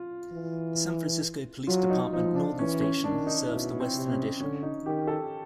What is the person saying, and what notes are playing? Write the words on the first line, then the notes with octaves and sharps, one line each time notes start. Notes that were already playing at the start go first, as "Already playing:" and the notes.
The San Francisco Police Department Northern Station serves the Western Addition.
Already playing: F4
E3
F#3 F4
D#4
F3 D#4
D4
E3 C#4
C#4
D#3 D4
D#4
B2 E4
C4
C3
C#4
D3 C#4
D#4
D#3 G4
A4